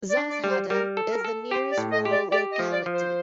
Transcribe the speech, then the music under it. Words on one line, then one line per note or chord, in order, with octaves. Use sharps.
Zhazhada is the nearest rural locality.
D5
D4
D5
G3
C5
G3 A#4
A4
A#4
A4
G4 C5
D5
A2
D#5
G4
D5
G4 D5
D#5
F3
D5
F3
C5